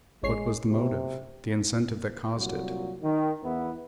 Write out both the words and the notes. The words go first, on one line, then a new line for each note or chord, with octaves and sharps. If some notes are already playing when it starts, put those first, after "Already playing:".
What was the motive, the incentive that caused it?
A1 G#3 C#5 C7
C3
C2 A#2 F#3
D#3
E2 B3 E4